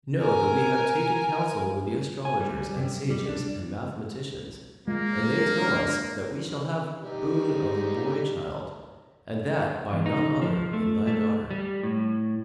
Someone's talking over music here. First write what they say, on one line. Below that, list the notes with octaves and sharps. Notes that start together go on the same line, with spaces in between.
Know that we have taken counsel with the astrologers and sages and mathematicians, and they tell us that we shall have boon of a boy child, and that by none other than thy daughter.
A#4 G#5
G#5
G3
C3
G3
D4
G#3 A#3 F4
D4 A#4
G3 D#4
E2
D#4
F3
A3
A3
G3
A2